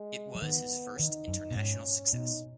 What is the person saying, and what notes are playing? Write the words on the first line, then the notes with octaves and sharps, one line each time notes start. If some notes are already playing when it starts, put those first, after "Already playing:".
It was his first international success.
Already playing: G#3
F#3
D#3 B3
D#3 D#4
F#2
B2
G#2 C#4
B2 D#4